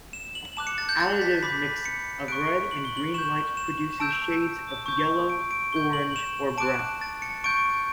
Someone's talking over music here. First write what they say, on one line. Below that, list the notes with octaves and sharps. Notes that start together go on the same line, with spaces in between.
Additive mixing of red and green light produces shades of yellow, orange, or brown.
E7
F#7
A5 D6 F#6 E7
C#7
A6
G6
A6
B6
B5 D6 G6 B6
C#7
C#6 F#6 D7
F#7
G7
F#7
C#6 G6 E7
E7
E7
A5 E6 G6 D7
C#6 G6
D7
D7
C#6 G6 G7
F#7
E7
A5 D6 F#6 D7
A6
C#7
C#6 G6 D7